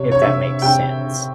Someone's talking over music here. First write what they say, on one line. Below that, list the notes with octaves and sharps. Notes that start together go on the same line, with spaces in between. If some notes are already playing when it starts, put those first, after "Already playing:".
if that makes sense.
Already playing: C3 C#5
C#5
C3 E5
C3 G5